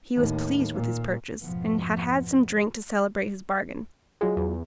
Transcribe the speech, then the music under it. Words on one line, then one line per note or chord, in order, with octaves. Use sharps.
He was pleased with his purchase, and had had some drink to celebrate his bargain.
D#2 A2
A#2
F2 G#2 B2 F3 B3
F#3 G#3 F4 G#4
E2